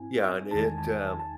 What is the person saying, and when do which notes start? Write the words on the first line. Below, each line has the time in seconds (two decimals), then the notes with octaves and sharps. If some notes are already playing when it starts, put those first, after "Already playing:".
Yeah, and it, um,
Already playing: G#2 C4 E4 G#5
0.51 E2 D#3 G#3 D#4 A5
0.65 G#5
0.78 A5
1.19 A5